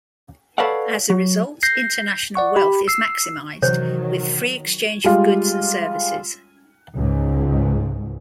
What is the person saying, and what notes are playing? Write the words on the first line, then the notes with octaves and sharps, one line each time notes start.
As a result, international wealth is maximized with free exchange of goods and services.
A4 B4 C#5 D5 F5 F#5
F#3
G6 A#6 C7
D5 F#5 C#6
G4 B5
E6 C7
C3 D#3 E3 F#3 C5 C#5
G3 G#3 F4
C#2 G#2